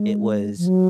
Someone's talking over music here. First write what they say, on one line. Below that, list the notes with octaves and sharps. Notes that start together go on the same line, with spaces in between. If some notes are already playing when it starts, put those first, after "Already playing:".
it was
Already playing: G#3
F3
F#3